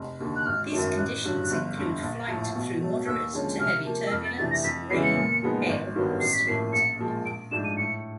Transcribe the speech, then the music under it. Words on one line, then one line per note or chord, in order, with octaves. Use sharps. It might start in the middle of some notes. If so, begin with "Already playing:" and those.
These conditions include flight through moderate to heavy turbulence, rain, hail or sleet.
Already playing: F1
D#2 D3
F#6
G#1 F6
F#2 D#3 F#3 A3
A1 F#6
G2 D3 F#3
G1
F2 D3
A#1
A2 F3
B2
F#3 A3
D#2 E6
D3 F3 G#3 C#4
C3 F6
F3 A#3
E6
F2 F6
A6
C3 E3 A3 D4 A6
A#6
F2 B6
C#3 E3 G#3 B3 C7
C#7
A#2
F3 G#3 B3 D#4
G#1
G2 D#3 F#3 B3
A1 C7
B6
A2 F3 A#3 C7
A#1 C#7
A#2 F3 G#3
A#1 D7
G#2 F3 A3 D4 E7
D#7
A2 C#7